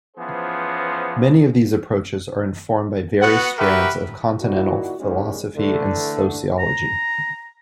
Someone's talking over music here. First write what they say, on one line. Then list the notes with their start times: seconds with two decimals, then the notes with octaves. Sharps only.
Many of these approaches are informed by various strands of Continental philosophy and sociology.
0.17 E3 F3 B3 C#4 G#4 C5
3.22 B3 F#4 F#5
3.58 F#4 G4 A#4 B4 E5
4.40 A#2 D#3 E4 F#4
4.99 D#2 D#3 F3 G3 G#3 C#4
5.56 D3 E3 A3
6.59 A#5